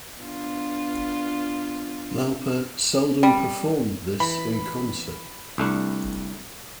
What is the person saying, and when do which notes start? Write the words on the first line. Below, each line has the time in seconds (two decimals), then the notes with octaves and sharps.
Lauper seldom performed this in concert.
0.21 B3 D4 F4
3.23 G3
4.20 E3 B5
5.58 C2 A3 D4